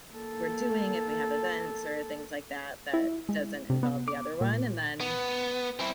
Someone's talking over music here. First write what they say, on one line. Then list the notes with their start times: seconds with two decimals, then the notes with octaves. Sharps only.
we're doing if we have events or things like that that doesn't involve the other one, and then
0.14 A#3 A4
2.94 E4
3.29 G#3
3.70 C3
3.83 B3
4.08 D6
4.41 A#2
5.01 B3
5.80 C4 E4